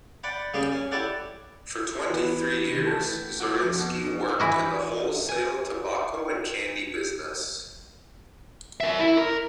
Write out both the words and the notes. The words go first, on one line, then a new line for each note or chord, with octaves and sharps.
For twenty-three years, Zorinsky worked in the wholesale tobacco and candy business.
D5 F#5 G5 B5
C#3 G3 A#3 G4 G#4
C#4
E4 G4 A4 C#5 D5 F#5
E3 B3
C3 D#3
A3 G4 A5
F#4 D6
F2 F3
B2
E3 E4 F#4
G#5
A#4 E5
E4
A#4